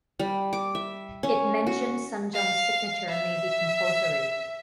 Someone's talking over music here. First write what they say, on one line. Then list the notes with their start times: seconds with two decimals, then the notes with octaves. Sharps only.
It mentioned Sunjong's signature may be compulsory.
0.19 G3
0.53 D6
0.75 E5
1.23 C#4
1.67 F#4
2.34 F5
3.09 E5